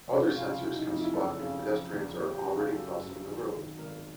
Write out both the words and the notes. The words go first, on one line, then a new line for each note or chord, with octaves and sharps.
Other sensors can spot if pedestrians are already crossing the road.
F1
F#4
C#3 F4
F4
F#3 E4
D#4
F2 D#4
E4
F#1 A4
C#3
F3
E2
F#1 G4
G4
C#3 F#4
F4
F#3 A4
F#2
G#1
D#3
G#1 A#4
A#4